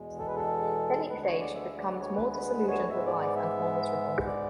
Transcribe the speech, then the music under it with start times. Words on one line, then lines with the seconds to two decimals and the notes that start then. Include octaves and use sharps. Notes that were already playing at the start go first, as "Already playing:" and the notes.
Then each day she becomes more disillusioned with life and more miserable.
Already playing: E2 B2 G#3
0.19 A4
0.27 B4
0.36 A4
1.09 D2 D3 G#3 B3 B4
1.24 C#5
1.39 D5
1.55 E5
1.77 D5
2.00 C#5
2.15 B4
2.30 B4
2.45 B4
2.68 C#5
2.90 G#2 G#3 B3 E5
3.05 D5
3.20 D5
3.36 E5
4.26 D5